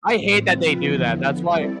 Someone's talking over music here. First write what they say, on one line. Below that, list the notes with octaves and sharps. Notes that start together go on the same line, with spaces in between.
I hate that they do that, that's why
A2 G3 C4
F3 C4 F4 B4
E2 D3 F3 B3 E4
D3 F3 B3
G3 C4 E4 A4 D5